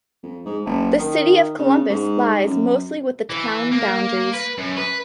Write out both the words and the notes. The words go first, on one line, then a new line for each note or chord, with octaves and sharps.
The city of Columbus lies mostly with the town boundaries.
F2
G#2
F#1
D#3
C#3
G#2
F#2
E3
A#3
B4
F#2
B4